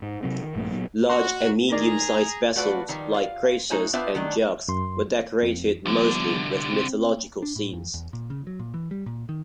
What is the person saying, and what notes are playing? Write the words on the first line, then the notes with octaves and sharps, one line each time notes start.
Large and medium-sized vessels like "kraters" and jugs were decorated mostly with mythological scenes.
G#2
C3 F#3 C4
D#3
A#1 G2 A3 A#3
A#2 F#3 B3
F#4 C6
D#3 G#4 D5 A#5
A3 F4 F#4 B4 D5
D#3 F3 G3
F4 F5
A3 D#4 F#4 C5 G#5
B3 D4 F4 B4 C5 E5
D#3 F#3 A3 D4
F#2 C6
F2
C2 D3 F3 G3 B3
C4
D4
A2
F2
E2
A#2
C#3
F#3
A#2
E3
G3
A#2
D#3